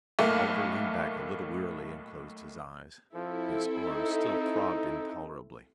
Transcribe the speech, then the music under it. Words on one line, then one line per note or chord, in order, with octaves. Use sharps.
Oliver leaned back a little wearily and closed his eyes; his arm still throbbed intolerably.
B1 A2 A3 A#3 F5
F3 C4 E4 A4
D#4